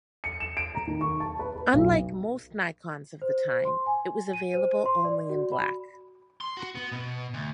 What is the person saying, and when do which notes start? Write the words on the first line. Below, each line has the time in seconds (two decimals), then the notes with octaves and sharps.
Unlike most Nikons of the time, it was available only in black.
0.24 C#7
0.40 E7
0.57 D7
0.75 A#5
0.87 D#3
1.01 C#6
1.20 A5
1.39 B4
1.56 B4
1.74 B1
3.22 C5
3.49 C5
3.65 C6
3.86 G#5
4.33 D#7
4.54 C5
4.86 C6
5.04 D5
5.30 F#4
5.52 B5
6.41 C6
6.57 F#4
6.75 B3
6.92 B2
7.34 D2